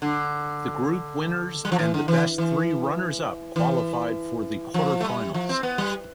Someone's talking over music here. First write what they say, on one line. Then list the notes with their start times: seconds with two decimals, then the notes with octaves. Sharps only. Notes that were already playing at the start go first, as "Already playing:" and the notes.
The group winners and the best three runners-up qualified for the quarterfinals.
0.02 D3
1.65 G3
1.72 F3
1.79 E3
1.94 D3
2.08 E3
2.38 E3
3.56 E3
4.74 F3
5.00 A3
5.05 G3
5.34 F3
5.49 C4
5.63 B3
5.78 G3